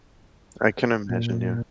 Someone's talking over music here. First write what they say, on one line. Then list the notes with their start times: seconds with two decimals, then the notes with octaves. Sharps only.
I can imagine, yeah.
1.09 A#2